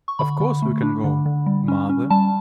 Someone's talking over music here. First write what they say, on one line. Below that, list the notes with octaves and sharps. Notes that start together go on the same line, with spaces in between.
Of course we can go, mother?
C#6
D3 B5
D3
A3
D4
D3
D3
G3
C#4
C#4
G3 A5